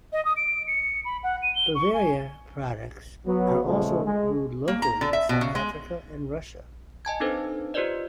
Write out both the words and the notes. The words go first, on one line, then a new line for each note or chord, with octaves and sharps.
Bavaria products are also brewed locally in South Africa and Russia.
D#5
D#6
D7
C#7
B5
F#5
D#7
G7
C#6
G#5
F#3 B3
A#2 C#3 F3 G#3 A3
G#3
A#3
A#5
D3
E5
B2
C#3
G#3
D#5 G#5 A5 G#6
C4 D4 D#4 A4 B4 C5
F4 G4 B4 C5 D5 D#5